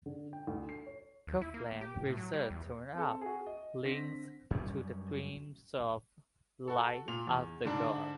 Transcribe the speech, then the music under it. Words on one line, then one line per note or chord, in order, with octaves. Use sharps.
Coupland's research turned up links to the themes of "Life After God".
D3
G5
D2
C7
C#5
D#2
E4
A#3
G4
A2
F#3
G3
E2
C4 A4
F#4 G#4
D#5
D3 C4 A#6 B6
F#2 G3 C#4
F#4 A4
A#2 F7
E2
G#2 D3 D4